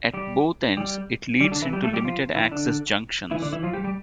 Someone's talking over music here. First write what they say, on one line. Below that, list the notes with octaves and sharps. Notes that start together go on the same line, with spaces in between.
At both ends it leads into limited-access junctions.
G3 G4
G3 G4
G3 G4
D3 D4
E3 E4
G3 G4
A3 A4
G3 G4
F3 F4
E3 E4
D3 D4
E3 E4
D3 D4
E3 E4
F3 F4
G3 G4
G3 G4